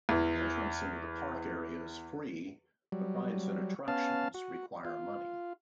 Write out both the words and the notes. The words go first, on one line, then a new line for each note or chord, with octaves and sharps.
Entrance into the park area is free, but rides and attractions require money.
E2 E3
F#3 G3
B3 C#4 F5 A5
F#4
F4